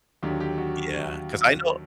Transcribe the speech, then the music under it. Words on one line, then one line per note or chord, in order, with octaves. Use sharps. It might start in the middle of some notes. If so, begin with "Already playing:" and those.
Yeah, 'cause I know
D#2 D3 F#3 G4
G4
F#4
G4
F#4